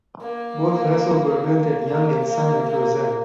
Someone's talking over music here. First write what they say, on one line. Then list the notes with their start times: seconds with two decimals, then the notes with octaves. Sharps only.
Both vessels were built at Young and Son at Rozelle.
0.21 A#3
1.85 A#3
2.26 A#3
2.67 A#3